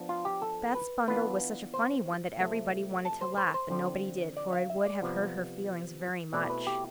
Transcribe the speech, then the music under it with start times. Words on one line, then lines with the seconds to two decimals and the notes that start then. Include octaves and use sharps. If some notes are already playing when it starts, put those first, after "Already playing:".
Beth's bundle was such a funny one that everybody wanted to laugh, but nobody did, for it would have hurt her feelings very much.
Already playing: F3 B3 D4
0.09 F4
0.25 G4
0.42 A4
0.74 B4
1.08 E3 B3 D4 F4 B4
1.74 C5
2.39 C3 F3 A3
3.05 A5
3.21 C5
3.37 C5
3.54 C5
3.70 D3 F3 C4
4.37 D5
4.53 F5
4.70 E5
4.86 D5
5.02 C3 F3 B3
6.33 B2 A3 C4 E4 D5
6.50 B4
6.67 G4